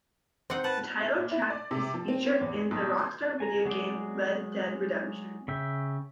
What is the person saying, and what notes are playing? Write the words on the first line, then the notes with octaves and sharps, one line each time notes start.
The title track is featured in the Rockstar video game "Red Dead Redemption".
C4 D#4 C5 F#5
B4 F#5 A5
E5
A#2
E4
D5
C3
F3
C4
C4
E2
G#3
B1
C6
G#5 A#5
F#3 G#3 G#4 D5
C#3 E5 G5